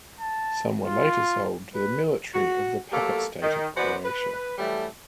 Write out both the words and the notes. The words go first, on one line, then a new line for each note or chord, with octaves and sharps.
Some were later sold to the military of the puppet state of Croatia.
A5
F4
B4
F#4
F#3 A3 A#3 G4 A4
D#3
E3 B3 F#4 C5 D5
B4
E3 F#3 G3 A3